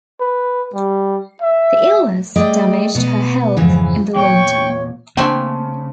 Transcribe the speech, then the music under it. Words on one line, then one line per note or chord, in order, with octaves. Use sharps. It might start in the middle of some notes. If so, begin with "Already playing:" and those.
The illness damaged her health in the long term.
B4
G3
E5
G3 A3 G#4 D5 D#5 G5
B2 B3
F2 G#2 C#3 E3
E2 A#2 C#5 G5 C#6
C#3 A3 A#3 C4 D4 G5 G#5